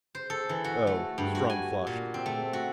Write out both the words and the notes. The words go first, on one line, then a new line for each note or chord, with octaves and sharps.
"Oh--" Strong flushed.
C5
A4
E3
F#4
A3
G2
F#4
G#5
A#2
C4
A3
F#4